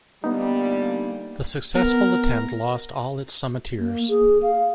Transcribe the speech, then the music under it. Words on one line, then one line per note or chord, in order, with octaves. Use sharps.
The successful attempt lost all its summitteers.
A#2 D3 G3 A#3 B3 D#4
B3 A#4
A#3
G#4
F5